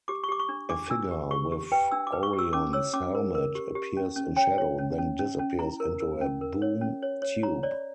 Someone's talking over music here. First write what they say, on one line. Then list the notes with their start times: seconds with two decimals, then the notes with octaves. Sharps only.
A figure, with Orion's helmet, appears in shadow then disappears into a Boom Tube.
0.08 G4 D6
0.24 C#6
0.28 G4 D6
0.39 C#6
0.49 D4
0.70 D4 D6
0.90 D4 E6
1.11 G4
1.31 G4 C#6
1.52 G4
1.72 B4 G5
1.91 D4 E6
2.07 D6
2.12 B4
2.23 C#6
2.33 G4
2.39 E6
2.53 C#4 D6
2.73 C#5 E6
2.94 C#4 D6
3.15 A#4
3.35 A#4
3.55 G4
3.75 G4
3.97 C#4
4.16 C#4
4.36 C#5 G5
4.58 C#5
4.78 C#4
4.98 C#4
5.19 C#4
5.39 C#4
5.59 E4 A#5
5.80 A#4
6.00 A#4
6.21 C#4
6.41 A#4
6.62 C#5
6.81 C#4
7.02 C#5
7.22 C#5
7.43 C#5 A#5
7.63 C#5 D5